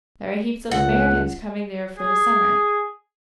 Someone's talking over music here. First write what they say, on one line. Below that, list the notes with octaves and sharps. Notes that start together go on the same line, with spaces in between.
There are heaps of Americans come there for the summer.
C#2 F#5
G#4